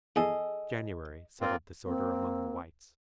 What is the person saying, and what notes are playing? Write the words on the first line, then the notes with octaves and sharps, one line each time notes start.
January settled disorder among the whites.
E2 G#4 A4 D#5
A#3 C4 F4
A#3 C4